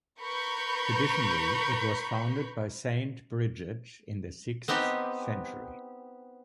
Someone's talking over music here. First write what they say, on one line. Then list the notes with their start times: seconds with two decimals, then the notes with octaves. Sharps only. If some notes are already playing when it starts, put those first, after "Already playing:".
Traditionally, it was founded by Saint Bridget in the sixth century.
0.21 A#4 B4 B5 C#6 G6
4.68 B3 C4 D#4 G4